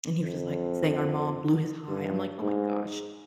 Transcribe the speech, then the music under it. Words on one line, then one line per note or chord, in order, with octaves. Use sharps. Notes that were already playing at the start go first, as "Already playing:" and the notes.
and he was just, like, saying our mom blew his high. I'm like, "Oh my gosh."
F2
G2
G#2